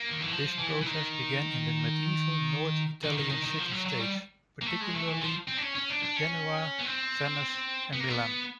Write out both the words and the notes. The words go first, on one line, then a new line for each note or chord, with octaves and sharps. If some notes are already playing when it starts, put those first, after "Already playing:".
This process began in the medieval North Italian city-states, particularly Genoa, Venice, and Milan.
Already playing: A#3
D#3
E3
F3
E3
E3
D#3
D#3
D#3
D#3
D#3
F3
F#3
F#3
G3
A#3
A3
G#3
A3
E3
F3
C4
D4
C#4
C#4
D4
D4
C#4
B3
C4
B3
A#3
B3